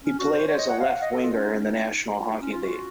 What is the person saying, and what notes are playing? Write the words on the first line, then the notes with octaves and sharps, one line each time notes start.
He played as a left winger in the National Hockey League.
C#4
F#4
C5
C#5
D#5
F#5
F5
F#5
D#5
A4
F4
C#4
D#4
C#4
D#4
F4
D#4
C#4
F4
F#4